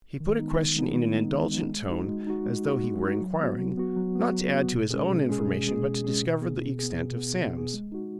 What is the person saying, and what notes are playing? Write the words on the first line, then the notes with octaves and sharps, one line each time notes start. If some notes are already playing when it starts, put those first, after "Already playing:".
He put a question in an indulgent tone, as though he were inquiring, not to add to his own information but to discover the extent of Sam's.
D#3
G#3 B3 D#4
D#3
G#3 B3 D#4
D#3
G#3 B3 D#4
D#3
G#3 B3 D#4
G#3
D#4 F#4
G#3
D#4 F#4
G#3
D#4 F#4
G#3
D#4 F#4
F#3
B3 F#4
F#3
B3 F#4
F#3
B3 F#4
F#3
B3 F#4
B2
G#3 C#4 G#4
B2
G#3 C#4 G#4
B2
G#3 C#4 G#4
B2
G#3 C#4 G#4
B2
B3 G#4
B2
B3 G#4
B2
B3 G#4
B2
B3 G#4
G#3
D#4 F#4